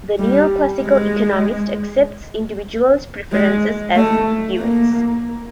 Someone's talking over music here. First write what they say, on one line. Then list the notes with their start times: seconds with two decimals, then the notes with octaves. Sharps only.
The neo-classical economist accepts individuals' preferences as givens.
0.18 G3
0.82 G#3
3.32 G#3
3.95 A3
4.59 A#3